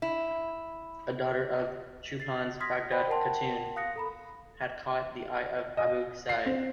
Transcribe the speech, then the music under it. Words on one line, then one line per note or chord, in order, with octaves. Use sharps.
A daughter of Chupan's, Baghdad Katun, had caught the eye of Abu Sa'id.
E4
A6 C7
C6 D#6 F6 G#6 A#6 B6
C5 D5 G5 B5 F#6
A#4 F#5 G5 A5 C6
F5 D#6 F#6 A#6 C#7
A4 A#5 B5
D#5
C7
C4